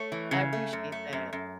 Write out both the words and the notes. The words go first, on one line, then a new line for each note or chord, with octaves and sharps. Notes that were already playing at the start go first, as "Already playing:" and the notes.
I appreciate that.
Already playing: A3 C#5
E3
C#3
A3
F#2
A3
F#2
F#2